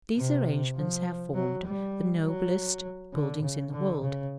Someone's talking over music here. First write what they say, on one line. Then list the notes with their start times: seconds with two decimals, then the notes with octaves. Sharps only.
These arrangements have formed the noblest buildings in the world.
0.16 C3
0.76 F3
1.35 F#3
1.65 G3
2.24 F#3
3.14 D3
3.42 C#3
3.72 D3
4.02 C#3